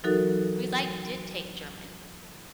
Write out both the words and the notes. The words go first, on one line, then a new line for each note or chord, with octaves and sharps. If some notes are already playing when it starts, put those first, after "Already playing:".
because I did take German
E3 F#3 D#4 F#4 A4 A#4